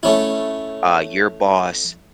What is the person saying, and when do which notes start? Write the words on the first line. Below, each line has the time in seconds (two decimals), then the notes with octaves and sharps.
uh, your boss,
0.03 A3 C#4 E4